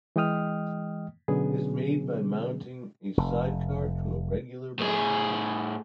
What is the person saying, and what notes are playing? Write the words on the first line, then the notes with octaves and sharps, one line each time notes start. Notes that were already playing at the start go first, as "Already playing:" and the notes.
It is made by mounting a sidecar to a regular bicycle.
E3 G#3 D#5 G5 D#6 F6
B2 D3 F#3 B3 C#4 G#4
F1
A2 G#4